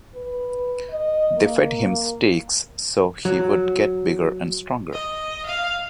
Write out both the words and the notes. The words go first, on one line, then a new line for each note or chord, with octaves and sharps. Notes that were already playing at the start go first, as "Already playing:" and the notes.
They fed him steaks so he would get bigger and stronger.
B4
D#5
A#3
A#3
F#3
D#5
F5